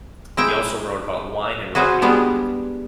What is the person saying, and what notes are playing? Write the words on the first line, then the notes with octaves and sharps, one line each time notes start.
He also wrote about wine and rugby.
G#3 E4 E5 G5
F#4 G#4 B4 C5
G3 G#3 B3 D4